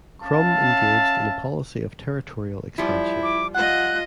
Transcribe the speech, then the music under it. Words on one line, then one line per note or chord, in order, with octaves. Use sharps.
Krum engaged in a policy of territorial expansion.
C#4 E5 F5 A5
F3 G3 E4
D6
F4 D#5 F#5 F#6